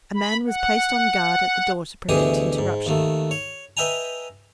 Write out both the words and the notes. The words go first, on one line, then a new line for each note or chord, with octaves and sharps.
A man was placed on guard at the door to prevent interruption.
B5
F#5
D2 B2 E3 G4 G#4 D#6
G#2
D#2 D#3 A3
C#5
B4 D#5 E5 G5 G#5 A#5